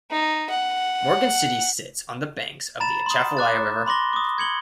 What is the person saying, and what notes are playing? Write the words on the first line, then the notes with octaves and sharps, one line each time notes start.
Morgan City sits on the banks of the Atchafalaya River.
D#4
F#5
A#5 B5 A6 E7
C6 D#6
D6 F#6 A6
B5 C6 D6 A#6 G7
D6 D#6
G#6 C#7 F#7 G7